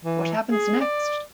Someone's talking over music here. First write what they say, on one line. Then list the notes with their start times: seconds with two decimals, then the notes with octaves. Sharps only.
What happens next?
0.04 E3
0.51 G#4
0.81 D5